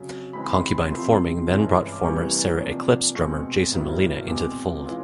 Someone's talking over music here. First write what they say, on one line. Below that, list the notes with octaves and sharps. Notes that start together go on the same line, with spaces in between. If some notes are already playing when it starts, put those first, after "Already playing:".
Concubine Forming then brought former Sera Eclipsed drummer Jason Molina into the fold.
Already playing: F2 C#3 F#3
C#3 E3 G#3 C4 B5
C6
B5
C3 F3 A3 C4 C6
G2 E3 G#3 C#4 E4
D6
E2 C3 E3 G3 A#3 C#6
C3 F3 A#3 D4
B2 G#3 C4 C#6
G2 D#3 F#3 B3 E4
E2 B2 G#3 C4 D6
E3 G#3 C#4 F4